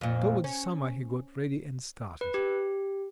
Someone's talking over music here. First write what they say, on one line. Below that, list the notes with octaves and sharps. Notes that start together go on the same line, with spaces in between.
Towards summer he got ready and started.
F2 A#2
C#4
B4
G4